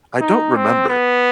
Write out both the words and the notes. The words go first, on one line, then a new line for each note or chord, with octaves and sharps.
I don't remember.
D#4
C4
B3